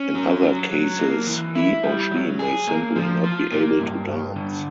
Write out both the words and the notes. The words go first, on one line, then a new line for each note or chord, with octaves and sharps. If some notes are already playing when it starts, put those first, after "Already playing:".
In other cases, he or she may simply not be able to dance.
Already playing: C#4
F#3
F#3
F#3
A#3
E3
E4
G3
F#3
G#4
A#3
F3
F4
A#3
G2
G2
D3